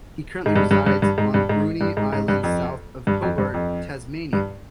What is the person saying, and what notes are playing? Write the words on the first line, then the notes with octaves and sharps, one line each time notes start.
He currently resides on Bruny Island south of Hobart, Tasmania.
G#2
G2
G2
G2
G2
G#2
G2
G#2
G2
G#2
G#2
G2
F2
G2
F2
G2
F2
G2